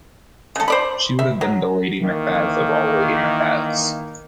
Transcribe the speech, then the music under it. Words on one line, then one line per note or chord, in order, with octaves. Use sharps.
She would have been the Lady Macbeth of all Lady Macbeths.
C#3 A4
C5 D5 B5
E5
F#3
D#3 E3 A#3